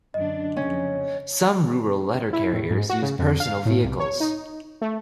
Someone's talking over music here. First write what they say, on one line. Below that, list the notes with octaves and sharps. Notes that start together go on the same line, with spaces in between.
Some Rural Letter Carriers use personal vehicles.
F#2 D3 D4 D#5
F2 C#3 C#4
E4
A2
G#2
F#4
C#3
F2
F5
A2
C2
C#5
D#4
A3